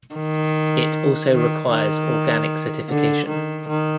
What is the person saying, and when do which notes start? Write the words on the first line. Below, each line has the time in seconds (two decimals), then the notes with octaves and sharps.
It also requires Organic certification.
0.15 D#3
1.33 D#3
1.71 D#3
2.89 D3
3.28 D#3
3.68 D#3